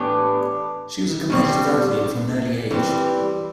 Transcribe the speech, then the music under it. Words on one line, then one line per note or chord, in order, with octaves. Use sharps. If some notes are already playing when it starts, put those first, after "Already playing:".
She was a competitive athlete from an early age.
Already playing: A2 E3 B3 D4 G4
B2 G3 C4
E3 G3 C4